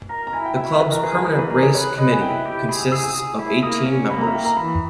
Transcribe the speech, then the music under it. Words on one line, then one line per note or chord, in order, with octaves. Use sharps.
The club's Permanent Race Committee consists of eighteen members.
A#4 A#5
A#5
E4 G#5
G5
E4 E5
E3 B4
A#4
G#4 B4
B4
E3 A#4
B4
G#4 A#4
C#5
B4 C#5
B4 D#5
G#5
E4 G5
G4
G#4 B5
D#6
G#4 E6
D#6
G#4
E4
A#3 D#6
C#4
A#3 B5
A#5
E5
A#3 G5
A#5
E3 B5